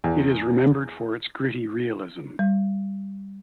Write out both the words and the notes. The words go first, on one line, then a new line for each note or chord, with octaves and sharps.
It is remembered for its gritty realism.
E2
G3